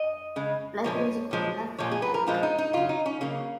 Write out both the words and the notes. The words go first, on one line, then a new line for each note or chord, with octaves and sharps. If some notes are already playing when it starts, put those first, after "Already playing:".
Play music from Lastfm.
Already playing: D#5
C#3 G#3
A#2 F3 G#3 C#5
A#2 F3 G#3
A#2 F3 G#3 C#5
G#4
B4
A#4
A#2 F3 G#3 F4
D#4
D#4
C#3 F#3 F4
D#4
C#4
C#3 F#3 A#3